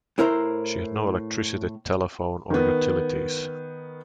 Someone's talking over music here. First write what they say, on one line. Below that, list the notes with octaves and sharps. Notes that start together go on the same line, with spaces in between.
She had no electricity, telephone or utilities.
A2 E4 A#4 C5 A#5
D#3 B3